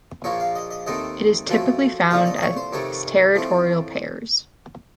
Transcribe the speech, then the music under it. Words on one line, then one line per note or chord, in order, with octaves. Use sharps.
It is typically found as territorial pairs.
A#1 A#2 F3 A#3 C#5
F5
D#5
D#5
D#2 D#3 A3 C4 D#5
F#2 F3 A3 C4
C2 A#2 F3 A3 F5
D#5
D#5
C#5
C5
F2 C3 D#3 A3 C#5
A2 F3 A3 C4